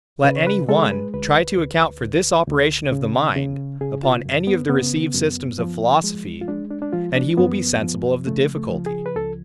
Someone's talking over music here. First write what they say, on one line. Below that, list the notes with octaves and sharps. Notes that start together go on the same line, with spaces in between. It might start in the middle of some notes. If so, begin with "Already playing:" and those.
Let any one try to account for this operation of the mind upon any of the received systems of philosophy, and he will be sensible of the difficulty.
C#3 B4
C#5
B4
G#3 A4
B4
D2 B4
D2
D2
D2
C#3
C#3
C#3 G#4
F4
F#2
B3
C#3 B3
F#2
F3
G#3
F4
G#3 D4
D4
D4
F3 F4
D4
F#2 B3
F3
C#3 A3
A3
F3
G#4
B4
C#2 A4